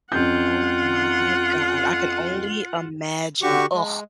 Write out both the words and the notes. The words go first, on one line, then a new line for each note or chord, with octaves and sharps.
Oh my god. I can only imagine, ugh.
F2 C#4 F4 F#5 G6
D3 F#4 G4 C#6
G#3